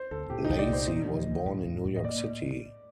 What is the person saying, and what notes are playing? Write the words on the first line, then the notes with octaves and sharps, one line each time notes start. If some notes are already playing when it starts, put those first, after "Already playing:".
Lacy was born in New York City.
Already playing: C5
D2 A4
A#2 G4
D#4
C2
D5
A#2 C5
D2 D#5
F3
D2
A2
A2
A2
D#5
A#3 D5